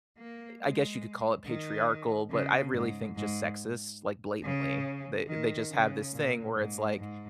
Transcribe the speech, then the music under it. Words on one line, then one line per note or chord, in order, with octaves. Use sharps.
I I guess you could call it patriarchal, but I really think just sexist, like, blatantly. They they just have this thing where it's like,
A#3
G#3
D#3
C#3
G#2
G#2
C#3
D#3
C#3
A#2
G#2
G#2